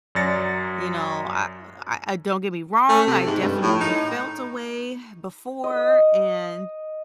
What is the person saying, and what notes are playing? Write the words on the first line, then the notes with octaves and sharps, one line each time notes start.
you know, I, uh, I I don't get me wrong, I definitely felt a way before and,
F#2 F#3 D5 A6 A#6 C#7
A3
C3
G#2
G2
A2
D#4
D#5